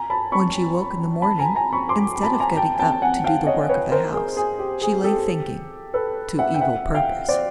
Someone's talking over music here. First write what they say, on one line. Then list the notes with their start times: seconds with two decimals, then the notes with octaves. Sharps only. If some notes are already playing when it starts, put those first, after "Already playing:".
When she woke in the morning, instead of getting up to do the work of the house, she lay thinking--to evil purpose.
Already playing: G#5 A#5
0.10 A5 B5
0.32 B5 C#6
1.22 A5 B5
1.39 G#5 A#5
1.55 G#5 A#5
1.73 B5 C#6
1.89 C6 D6
2.23 A5 B5
2.40 G#5 A#5
2.57 G5 A5
2.75 G#5
2.79 G5 A5
2.92 A5
3.02 F#5 G#5
3.24 F5 G5
3.47 C#5 D#5
3.69 B4 C#5
3.92 A#4 C5
4.14 G#4 A#4
4.37 G#4
4.59 G4
4.82 G#4
5.04 G4 A4
5.94 A4 B4
6.39 E5 F#5
6.54 G5
6.61 E5 F#5
6.95 F5 G5
7.28 C5 D5